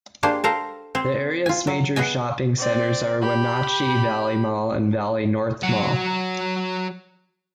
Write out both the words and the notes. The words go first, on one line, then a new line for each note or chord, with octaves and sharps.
The area's major shopping centers are Wenatchee Valley Mall and Valley North Mall.
A#3 D4 G4 G#4 C5
A4 A#4 C5 F5 A#5
C4 C5
F4 G#5
F#3
B3 G#4 D#5 G#5
C4 D5
G4 B5
F#3 F#5